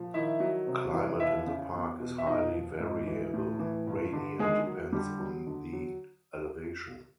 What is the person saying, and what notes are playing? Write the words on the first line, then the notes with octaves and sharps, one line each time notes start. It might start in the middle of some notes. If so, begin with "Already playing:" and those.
Climate in the park is highly variable, rainy and depends on the elevation.
Already playing: A#2 F3
D#3 E4 E5
F#3
C3
E3
D#2 E4 E5
C#3
E2
B2
E5
A#2 D#4 D#5
F3
G#2
E3
A2
E3
G2
D3
D#3 G#3 G#4
F#3
D3 G3 G4
F#3
D3
F#3